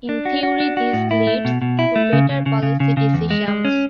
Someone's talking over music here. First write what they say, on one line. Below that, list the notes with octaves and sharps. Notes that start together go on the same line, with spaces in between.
In theory this leads to better policy decisions.
D4
F#4
F#4
D4
F#4
A2
E4
A3
B2
B2
E4
A3
C#3
C#3
C#3
C#3
C#3
C#3
E2
G#3
G#3
C#4